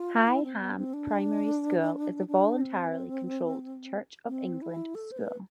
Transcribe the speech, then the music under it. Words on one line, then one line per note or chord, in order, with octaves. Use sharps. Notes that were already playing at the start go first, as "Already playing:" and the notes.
High Ham Primary School is a voluntarily controlled Church of England school.
Already playing: F4
E4
C4
B3
C4
D4
D4
C4
C4
E4
A4
C5
B4